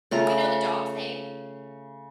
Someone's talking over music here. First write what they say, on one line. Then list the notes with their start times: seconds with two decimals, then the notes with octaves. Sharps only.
We know the dog's name,
0.11 C#3 A3 F4 A#5